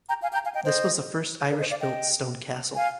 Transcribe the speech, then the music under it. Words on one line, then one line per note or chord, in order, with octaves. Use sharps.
This was the first Irish built stone castle.
G5 A#5
F5 G#5
G5 A#5
F5 G#5
D#5 G5
C5 D#5
A#4 D5
C5 D#5
D5 F5
D#5 G5
F5 G#5